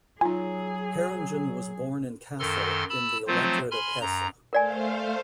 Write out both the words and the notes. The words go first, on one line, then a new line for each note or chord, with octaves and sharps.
Heeringen was born in Kassel in the Electorate of Hesse.
F#3 D#4 F4 G#4 G#5
F#2 D#3 A4 C6 F6
A5 B5 E6
F3 F#3 A3 C4 F4 C5
G#5 B5 C6 F6
F#2 A#5
A3 A#4 C5 D5 F5 G#5